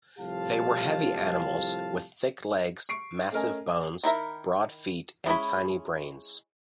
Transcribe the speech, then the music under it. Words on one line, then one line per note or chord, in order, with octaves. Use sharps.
They were heavy animals, with thick legs, massive bones, broad feet, and tiny brains.
C2 A2 F3 G4 F5 A5
C#6 C7 D7
A3 C#4 A#4 D#5 G#5
D#3 E4 A#4 E5
E3 G#3 C#4 E4 B5